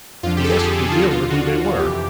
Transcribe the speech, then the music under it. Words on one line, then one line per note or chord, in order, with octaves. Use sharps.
He asked the dealer who they were.
F2 D3 F3 F4
G4
A4
G#4
A4
G#4
G4
F4
D#2 D3 F3 F#4
F4
F4
F#4
F2 C3 E3 G4